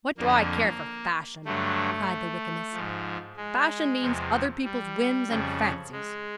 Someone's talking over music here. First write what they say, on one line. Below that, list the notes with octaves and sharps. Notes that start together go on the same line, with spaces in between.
What do I care for fashion?' cried the Wykehamist. 'Fashion means other people's whims and fancies.
F2 D3 F3 A#3
G2 D3 F#3 A3
G#2 F3
G#3
E2 C3 F3
G3
F2 C#3 F3
G#3